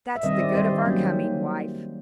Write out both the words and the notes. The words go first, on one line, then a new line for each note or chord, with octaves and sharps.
"That's the good of our coming, wife."
E5
D#3 G3 C4 D#5
D5
D#3 G3 C4 C5
D#3 F#3 A#3 C#4